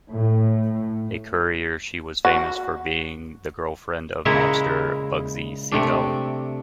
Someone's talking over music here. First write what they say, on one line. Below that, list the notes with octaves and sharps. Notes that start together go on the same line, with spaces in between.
A courier, she was famous for being the girlfriend of mobster Bugsy Siegel.
A2
F#4
A#2 C#3 G#3 E4 A#5
C3 A3 D4